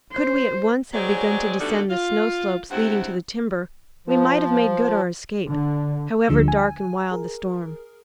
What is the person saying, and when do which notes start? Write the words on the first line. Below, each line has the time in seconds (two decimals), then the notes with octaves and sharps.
Could we at once have begun to descend the snow slopes leading to the timber, we might have made good our escape, however dark and wild the storm.
0.12 C5
0.94 F#3 G#3 C4 G#4 C#5 D5
1.59 B2 D3 G3 A3 D#4 F#4
1.90 F4
2.71 G2 C3 C4 E4 F#5
4.07 F3
5.49 D3
6.28 D2 D3 F3 G#3 E6
6.48 G#5
7.11 G#4 A#4